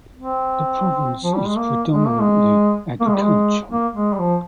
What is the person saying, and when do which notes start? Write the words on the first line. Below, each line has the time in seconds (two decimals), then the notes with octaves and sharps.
The province is predominantly agricultural.
0.16 C4
1.23 F3
1.34 G3
1.46 G#3
1.57 A#3
1.93 G#3
2.07 A#3
2.20 G#3
3.00 A#3
3.07 G#3
3.15 G3
3.22 G#3
3.71 A#3
3.95 G#3
4.13 G3
4.19 F3